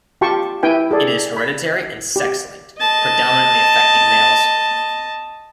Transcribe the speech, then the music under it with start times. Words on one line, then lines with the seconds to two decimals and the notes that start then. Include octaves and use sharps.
It is hereditary and sex-linked, predominantly affecting males.
0.21 F4 G4 G5 A5 C6 C#6
0.63 E4 B4 G5 G#5
0.91 G#4 A4 D5
1.37 B5
2.16 G4
2.79 D#5 A5